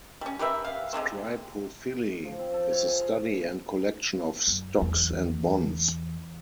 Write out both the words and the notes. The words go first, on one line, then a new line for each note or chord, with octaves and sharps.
Scripophily: is the study and collection of stocks and bonds.
G3 C#4
G4 A#4 B4 E5
F5
D3 G#3 A#3 C4
F3
C4
A4
C#5
G#4
F4
F#2
E2